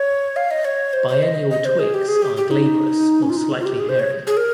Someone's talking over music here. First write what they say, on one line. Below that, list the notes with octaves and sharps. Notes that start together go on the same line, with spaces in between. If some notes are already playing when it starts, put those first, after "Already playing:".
Biennial twigs are glabrous or slightly hairy.
Already playing: C#5
F5
D#5
C#5
C5
C5
D#5
D#5
C5
G#4
G4
G#4
G4
G4
D#4
C#4
F4
D#4
F4
G4
G#4
C5
C#5
G#4
A#4